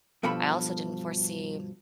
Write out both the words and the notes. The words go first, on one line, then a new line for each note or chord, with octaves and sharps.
I also didn't foresee
G2 B2 F3 A4 B5